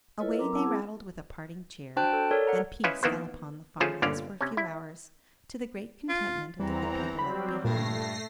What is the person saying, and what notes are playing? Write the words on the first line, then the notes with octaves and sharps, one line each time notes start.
Away they rattled with a parting cheer, and peace fell upon the farm-house for a few hours, to the great contentment of the good people left behind.
E4 F4 A4 B4 C#5 D#5
F#3 C4 A#4 A#5 D6
C4 E4 F#5 A5 D6 E6
G#4
D4 F#4 C5 G5 A5 F#6
A4
A4 A#4 C#5 D5
D5 F#5 A#5
C#4 E4 B4 C5 D#5 F5
D#3 E3 A#3 B3 C5
F3 A3 C#4 F4 G#4 C5
G1 A#2 D3 C#4 D5 F5
C3 C#4
E4
F4
E2 E3 G3 C4 A#5
F#3 G3 C4 B5
G2 A#2 A3 A#6 C7